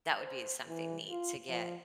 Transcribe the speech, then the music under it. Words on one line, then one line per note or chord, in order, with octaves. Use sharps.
That would be something neat to get
C5
E3
F4
F3